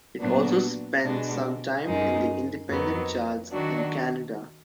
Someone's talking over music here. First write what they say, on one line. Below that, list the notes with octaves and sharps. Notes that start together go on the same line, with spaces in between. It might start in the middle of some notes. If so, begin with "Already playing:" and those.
It also spent some time in the independent charts in Canada.
A#2 F#3 B3 D4 F#4
B2 G#3 D4 F#4
F#2 D#3 G#3 D#4
F2 D#3 F#3 B3
D#3 F#3 D4 F#4